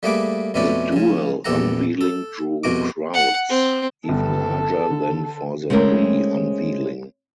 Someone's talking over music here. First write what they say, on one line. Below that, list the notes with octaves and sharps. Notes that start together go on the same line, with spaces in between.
The dual unveiling drew crowds even larger than for the Lee unveiling.
G3 A3 A#3 G#4 B4 D6
F2 B2 A3 C#4 B4 D5
C#3 F3
A#1 E2 G4 A4 F#5 A#5
A4
C2 F2 B2 F#4 A#5 D6
F#5
C4
G1 G3 B3 A4
D3
G#3 A3 C4 C#4 A#4